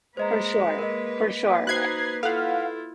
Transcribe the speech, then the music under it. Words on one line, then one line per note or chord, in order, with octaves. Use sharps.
For sure, for sure.
G#3 A#3 B4 C5 D#5 A#5
A#4 D#5
D#4 F#4 C5 F#6 G#6 C7
E4 F4 A4 F5 F#5